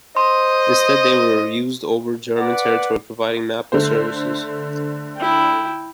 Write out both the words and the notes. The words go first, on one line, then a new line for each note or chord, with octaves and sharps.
Instead they were used over German territory providing mapping services.
C5 D#5 C6
B4 D5 F#5
D3 A3 C5
E4 G5